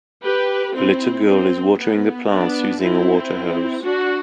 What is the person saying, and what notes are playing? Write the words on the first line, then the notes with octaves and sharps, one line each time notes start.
A little girl is watering the plants using a water hose.
G4 B4
C4 E4
C4
B3
B3 D4
C4 E4
D4 F#4